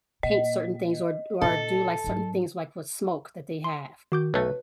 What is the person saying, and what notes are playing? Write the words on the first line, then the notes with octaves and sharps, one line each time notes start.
paint certain things or d or do like, certain things, like, with smoke that they have,
A#2 D#5
A#2 D#4 A4
G#2 F#3
C6
D#3 F#4 D6 G6
B1 A3 B4 C#5 C#7